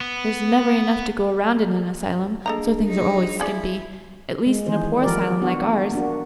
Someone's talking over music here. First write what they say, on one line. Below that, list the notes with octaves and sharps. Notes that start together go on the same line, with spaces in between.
There is never enough to go around in an asylum, so things are always skimpy--at least in a poor asylum like ours.
B3
A#3 D4 G#4 A4 D#5 A#5
F#3 D#4
F3 E4 G#4 D5
G#3
D#3 E3 G#4 C5
F3 G4 A#4 D5
B3 D4 F#4
A#3 D4 F#4